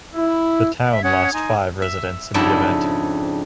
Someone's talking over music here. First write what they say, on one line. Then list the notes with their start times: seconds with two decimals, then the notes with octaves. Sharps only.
The town lost five residents in the event.
0.16 E4
0.89 E5
1.03 C#4 F#5 D#6 G#6
1.33 D#4 G#5 C6
1.82 E5
2.34 F2 G#2 C#3 D4 E4 A5